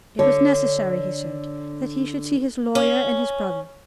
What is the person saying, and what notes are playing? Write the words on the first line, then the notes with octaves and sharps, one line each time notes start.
It was necessary, he said, that he should see his lawyer and his brother.
D3 C#5
C#4